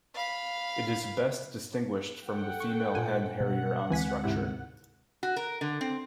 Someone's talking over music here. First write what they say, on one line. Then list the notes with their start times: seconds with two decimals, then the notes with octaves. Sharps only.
It is best distinguished from the female hen harrier on structure.
0.15 F5 B5
2.26 A4 F#5 G5
2.60 C#6
2.95 A#2 G#5
3.40 B2 G3 F#5
3.90 D2 E3 G#3 C4 G#5 B6
4.24 G#2 C3 E4
5.23 F#4
5.36 A#4
5.61 D3
5.81 C4